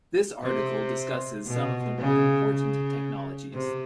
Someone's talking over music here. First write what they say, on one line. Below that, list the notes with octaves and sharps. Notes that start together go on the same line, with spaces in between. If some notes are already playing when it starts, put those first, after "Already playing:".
This article discusses some of the more important technologies.
C3
B2
C#3
C#3
C3